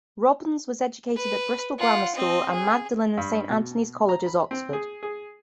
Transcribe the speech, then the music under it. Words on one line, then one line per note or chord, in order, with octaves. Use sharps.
Robbins was educated at Bristol Grammar School, and Magdalen and Saint Antony's Colleges, Oxford.
B4
F4 F#5
C4 D#5
G#4
G2
B2
A#5
B5
C4
G#4
G#4